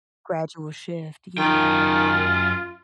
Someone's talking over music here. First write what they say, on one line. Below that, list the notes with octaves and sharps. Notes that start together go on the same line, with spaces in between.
Gradual shift, yeah.
F#2 D#3 F4 G5